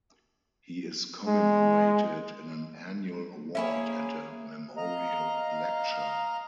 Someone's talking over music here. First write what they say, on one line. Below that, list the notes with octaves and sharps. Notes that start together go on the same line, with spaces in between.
He is commemorated in an annual award and a memorial lecture.
G#3
A#3 C#4 E4 G#4 C#5 E5 G#5
D#5 F5 A#5